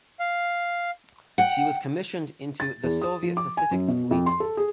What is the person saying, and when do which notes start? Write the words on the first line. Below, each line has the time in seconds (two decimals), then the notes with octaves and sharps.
She was commissioned into the Soviet Pacific Fleet.
0.19 F5
1.38 F#5 G5
2.60 A6
2.83 E2
3.02 D#6
3.23 F3
3.37 D6
3.57 G#5
3.71 F#2
3.88 B2
4.11 F2
4.26 C6
4.40 A4
4.57 G#4